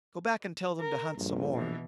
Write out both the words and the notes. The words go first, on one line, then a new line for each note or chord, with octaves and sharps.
Go back and tell them to hunt some more.
A#4
A#1 G2
B2 E3